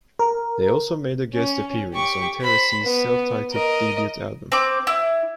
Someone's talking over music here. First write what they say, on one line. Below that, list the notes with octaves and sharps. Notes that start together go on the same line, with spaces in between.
They also made a guest appearance on Tyrese's self-titled debut album.
A#4
C#4
G4 C#6
C5 B5
B3
A#4 D#5
C4 D6
E4